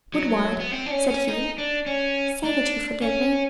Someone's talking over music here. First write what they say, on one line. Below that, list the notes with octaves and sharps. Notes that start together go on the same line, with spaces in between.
Woodward,' said he, 'say that you forgive me.'
F#3
B3
C4
D4
C#4
C#4
D#4
D4
C#4
D4
C#4